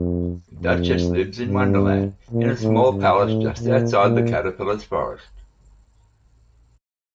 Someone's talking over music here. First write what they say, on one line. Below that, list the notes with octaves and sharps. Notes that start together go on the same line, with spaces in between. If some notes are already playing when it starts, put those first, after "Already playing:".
The Duchess lives in Wonderland in a small palace just outside the Caterpillar's forest.
Already playing: F2
F2
G2
A#2
A2
G2
A2
A#2
A#2